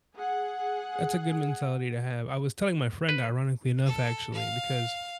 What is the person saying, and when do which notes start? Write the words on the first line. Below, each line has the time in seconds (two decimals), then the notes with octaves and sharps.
that's a good mentality to have. I was telling my friend, ironically enough, actually, because
0.14 G#4 F#5
3.09 B4
3.86 A4
4.34 F5